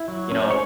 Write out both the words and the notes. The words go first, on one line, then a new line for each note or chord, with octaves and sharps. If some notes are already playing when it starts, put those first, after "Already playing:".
you know
Already playing: E4
F#3
C#4
C#5